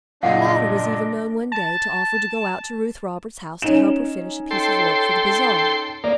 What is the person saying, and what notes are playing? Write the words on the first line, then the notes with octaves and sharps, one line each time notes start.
The latter was even known one day to offer to go out to Ruth Roberts' house to help her finish a piece of work for the Bazaar.
F#2 A#2 C#3 D4 D#5 F5 F#5
A5
C#4 D#4 E7
A4 G5 C6
A#3 D5